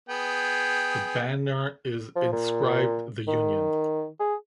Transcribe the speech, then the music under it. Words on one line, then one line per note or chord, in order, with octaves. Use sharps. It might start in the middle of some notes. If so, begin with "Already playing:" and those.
The banner is inscribed "The Union".
B3 G#4 G5
F3
A#2
D#3
G#4